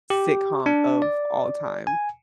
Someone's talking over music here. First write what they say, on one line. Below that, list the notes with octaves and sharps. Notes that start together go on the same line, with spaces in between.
sitcom of all time.
G4
D4
D5
G#5